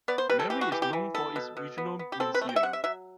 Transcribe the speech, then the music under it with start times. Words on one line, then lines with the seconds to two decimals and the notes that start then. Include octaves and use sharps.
Mary is known for its Regional Museum.
0.08 B3 D5
0.18 C5
0.29 G3 B4
0.39 A4
0.50 E3 G4
0.61 F#4
0.72 E3 G4
0.82 G4
0.93 E3
1.15 B3 A4
1.36 B2
1.57 B2
1.78 B3
1.99 B3
2.12 G4
2.20 C4 A4
2.34 B4
2.41 A3
2.49 G5
2.56 E5
2.63 C3 F#5
2.73 E5
2.84 F#3 E5